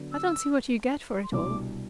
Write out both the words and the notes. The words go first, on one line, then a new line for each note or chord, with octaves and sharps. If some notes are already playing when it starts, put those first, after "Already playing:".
"I don't see what you get for it all."
Already playing: D3 F#3 B3
E6
C6
C2 B2 G3 D4 D6